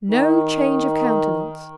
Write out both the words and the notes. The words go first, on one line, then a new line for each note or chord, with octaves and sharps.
No change of countenance.
D#3